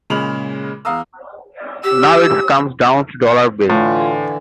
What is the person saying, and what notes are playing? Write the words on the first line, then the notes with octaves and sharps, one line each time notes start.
Now it comes down to dollar bills.
A#2 C#3 G#3 B5 F7 F#7
E2 F5 A#5 D#6 E6
G4 E6
A2 D3 E3 F4